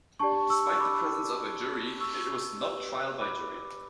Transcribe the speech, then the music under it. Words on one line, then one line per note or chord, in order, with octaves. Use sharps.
Despite the presence of a Jury, it was not "trial by jury".
D4 G4 D5 A5 C#6
C#6 E6
C#6
B5 D6
C#6 E6
G4 B4 D5
B5 D6